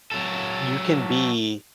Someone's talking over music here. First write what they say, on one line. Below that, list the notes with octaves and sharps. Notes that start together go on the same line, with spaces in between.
you can be
F#3 A4